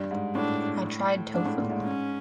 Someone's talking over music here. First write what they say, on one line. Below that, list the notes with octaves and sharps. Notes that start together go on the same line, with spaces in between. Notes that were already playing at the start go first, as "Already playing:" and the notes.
I tried tofu.
Already playing: G2
G#2
A2 D4
G#2 D4
A2
A#2
G#2
C#4